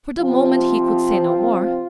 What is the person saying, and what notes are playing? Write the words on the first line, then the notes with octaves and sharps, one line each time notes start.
For the moment he could say no more.
C3 F3 C4 F4